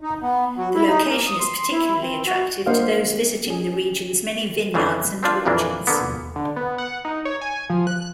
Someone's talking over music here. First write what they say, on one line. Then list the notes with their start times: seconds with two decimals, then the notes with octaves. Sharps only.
The location is particularly attractive to those visiting the region's many vineyards and orchards.
0.01 D#4
0.22 B3
0.57 F#3
0.75 E4
0.87 D#4
1.08 A#3
1.26 D#6
1.40 C6
1.72 E4
2.01 C4
2.26 F#4
2.66 A#3 D4 C5 D#5 F5 F#5
3.47 C#4 G#4
4.74 F2 C#3 E3 C4 D4
5.23 C4 D4 F4
5.45 F2 A#2 E3 A#3 D4
5.87 D3 A#3 B3
6.36 D3
6.56 B3
6.78 F#5
7.05 D#4
7.25 C#5
7.41 G#5
7.70 F3
7.87 F#6